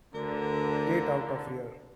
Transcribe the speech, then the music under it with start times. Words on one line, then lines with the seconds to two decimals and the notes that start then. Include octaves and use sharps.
Get out of here.
0.14 D2 D3 A#4